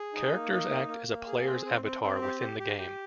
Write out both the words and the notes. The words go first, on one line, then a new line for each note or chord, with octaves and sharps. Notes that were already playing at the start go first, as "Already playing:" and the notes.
Characters act as a player's avatar within the game.
Already playing: G#4
D#4
A#3
D#4
A#3
A#3
A#3
G#4
C4
C4
C4
C4
G4
G4
G4
G4